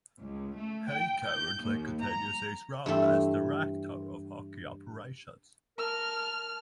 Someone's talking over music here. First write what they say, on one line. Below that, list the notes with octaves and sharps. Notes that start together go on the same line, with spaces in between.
He currently continues his role as Director of Hockey Operation.
C#2
A3
G5
G6
D#2
A#5
G2 E3 A3 C4
A#4 A5 F6